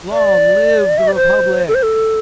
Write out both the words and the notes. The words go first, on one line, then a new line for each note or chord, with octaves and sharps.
"Long live the Republic!"
D5
E5
D5
C5
A4
C5
A4